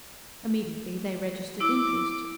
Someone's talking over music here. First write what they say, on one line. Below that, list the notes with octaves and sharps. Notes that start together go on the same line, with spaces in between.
Immediately, they registered interest.
E4 D6 E6